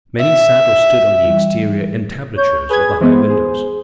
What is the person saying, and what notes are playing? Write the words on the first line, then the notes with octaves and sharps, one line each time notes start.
Many sat or stood on the exterior entablatures of the high windows.
E5
E3 G3 E4
C#5 G6
G#4 B4 G#6
E3 G#3 B3 C5
G#4